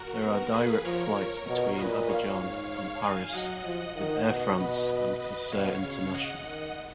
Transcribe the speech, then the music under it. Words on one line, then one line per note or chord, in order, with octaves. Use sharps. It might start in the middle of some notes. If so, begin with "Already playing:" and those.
There are direct fights between Abidjan and Paris with Air France and Corsair International.
Already playing: F#4 A#4
B3
A#3 G#4 B4
F3 A#4 C#5
A#4 C#5
B2 A#4 C#5
A#2 B4 D#5
C#5 F5
G#2
C#5 F5
F5 G#5
F#3 D#5 F#5
F3
D#3 D#5 F#5
B2 D#5 F#5
B2 B4 D#5
B4 D#5
B2 C#5 F5
C#3 C#5 F5
D#5 F#5
D#3